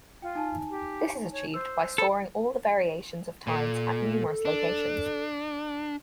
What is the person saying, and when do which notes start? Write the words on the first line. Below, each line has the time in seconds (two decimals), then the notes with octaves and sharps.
This is achieved by storing all the variations of tides at numerous locations.
0.22 F4 G5
0.35 D#4 G#5 A5
0.70 G4
1.33 C#5
1.54 C5 E6
1.98 A4 B5
3.47 A#2 A4
4.45 D4